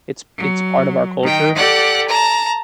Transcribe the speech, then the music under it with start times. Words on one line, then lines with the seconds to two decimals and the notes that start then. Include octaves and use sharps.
It's it's part of our culture.
0.37 F#3
1.23 D#3 G5
1.56 G4 A4 D5 F#5
2.08 A5 A#5